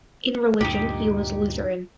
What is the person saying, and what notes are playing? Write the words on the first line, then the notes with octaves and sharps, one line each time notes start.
In religion, he was a Lutheran.
D2 G2 A#2 D#4 G4